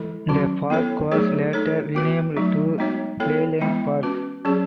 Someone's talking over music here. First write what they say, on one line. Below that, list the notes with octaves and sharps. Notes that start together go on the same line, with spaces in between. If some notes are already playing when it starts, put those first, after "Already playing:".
The park was later renamed to Playland Park.
Already playing: E3 G#3 E4 A4
D#3 F#3 C#4 F#4
B3 E4 A4 C#5
F#3 A3 D#4 G#4 C#5
A3 D#4 A4 C#5
B3 F#4 B4
F#3 A3 D#4
G#3 B3 D#4 F#4 C#5
B3 E4 A4 C#5
E3 G#3 B3 E4
C#4 F#4 B4
F#3 C#4 G#4 C#5